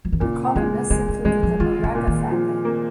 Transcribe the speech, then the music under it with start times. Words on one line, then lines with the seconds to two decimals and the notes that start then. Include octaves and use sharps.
The colonists included the Moraga family.
0.05 F3
0.12 D#3
0.20 A#2 C#3
0.56 C#3 G#3
0.90 C#3 G#3
1.08 C#3
1.25 D#3 G#3
1.43 F3
1.60 D#3 F4
1.84 C#3
1.95 A#2
2.07 D#3
2.30 F3
2.65 A#3